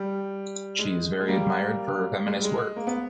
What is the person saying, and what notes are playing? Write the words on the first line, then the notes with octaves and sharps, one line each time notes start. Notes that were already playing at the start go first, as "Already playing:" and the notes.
She is very admired for her feminist work.
Already playing: G3
G#3
G#3
G3 A#3
G#3
G3
G#3
A#3
B3